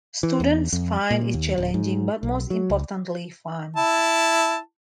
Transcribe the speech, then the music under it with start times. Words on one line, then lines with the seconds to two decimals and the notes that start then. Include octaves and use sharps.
Students find it challenging but most importantly fun.
0.23 E3
0.40 E2
0.73 F2
1.10 A#2
1.34 D#2
1.58 D1
1.74 G#2
2.23 B1
2.50 F#3
2.70 C#2
3.76 E4 A5